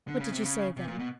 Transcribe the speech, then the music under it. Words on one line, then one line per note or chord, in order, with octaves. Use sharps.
"What did you say, then?"
D3
C#3
C3
C#3
C3
A#2
B2